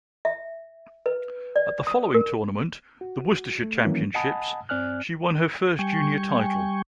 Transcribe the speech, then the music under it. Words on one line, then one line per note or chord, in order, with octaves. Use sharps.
At the following tournament, the Worcestershire championships, she won her first junior title.
E5
B4
D5
D#6
A#4
F#4
A3
D#3 E3 F#3 A#3 C#4
D#5 F#5 G#5 A5 B5 D#6
G2 C4 D5 G#5 F6 F#6
G3 G5 G#5 C#6